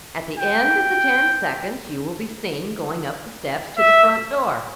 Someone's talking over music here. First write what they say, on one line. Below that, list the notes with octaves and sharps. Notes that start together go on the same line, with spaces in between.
At the end of the ten seconds you will be seen going up the steps to the front door.
G5
E5